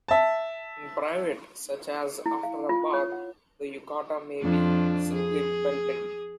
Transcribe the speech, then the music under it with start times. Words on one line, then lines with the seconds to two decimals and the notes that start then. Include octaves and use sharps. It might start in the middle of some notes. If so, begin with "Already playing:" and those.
In private, such as after a bath, the yukata may be simply belted.
0.08 E5 A5
2.26 E4
2.43 F5
2.69 F4
2.93 C#5
3.12 F#5
4.41 F2 D4
5.14 G#4